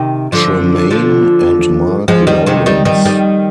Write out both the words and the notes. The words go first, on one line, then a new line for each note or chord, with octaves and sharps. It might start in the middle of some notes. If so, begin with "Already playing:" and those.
Tremayne, and Mark Lawrence.
Already playing: C3 D#3
D3 F3
D3 F3
F3 G#3
D#3 G3
C3 D#3
D#3 G3
D#3 G3
D#3 G3